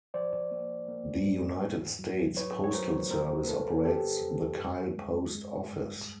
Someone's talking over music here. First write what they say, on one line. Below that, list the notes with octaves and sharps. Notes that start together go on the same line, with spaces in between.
The United States Postal Service operates the Kyle Post Office.
F3 C5 D5
A#3
A#3
G#2
E2
F#3
F#3 B4 C#5
C#5
F#3 A#4 C5
A#3 A#4 C5
C#3 A4 B4
F2 G4 A4
F2
G2
G#3
G#3
G2